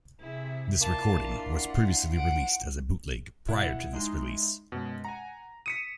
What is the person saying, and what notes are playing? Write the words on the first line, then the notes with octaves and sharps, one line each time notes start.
This recording was previously released as a bootleg prior to this release.
C3 E4 G#4 E5
A#3 D4 E4 F4 A5
F#5
F#5 D7
B2 E4 F#5
G#3 D#4 C6
F#2 B2 G#3
F#5 G#5 A#5
D#6 B6 C#7 D#7 E7